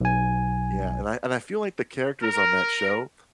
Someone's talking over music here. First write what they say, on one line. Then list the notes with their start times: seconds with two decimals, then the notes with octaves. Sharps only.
Yeah, and I and I feel like the characters on that show,
0.01 B1 G#5
2.22 A#4